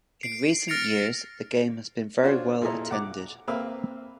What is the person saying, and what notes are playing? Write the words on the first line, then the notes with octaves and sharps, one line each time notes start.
In recent years, the game has been very well attended.
C7 D7
F6 A6 A#6 C#7 D7 F7
C#4 D4 F4 F#4 C5
A#2 E4 G#4 A4 D#5 A#5
F#5 D6
A#3 C4 B4 E5 F5